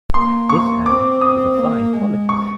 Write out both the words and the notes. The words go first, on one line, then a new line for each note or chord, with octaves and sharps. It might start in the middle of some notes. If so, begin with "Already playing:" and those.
Isham is a Scientologist.
A#3 C6
C#6
C4 D6
D#6
A#3
G#3
C#6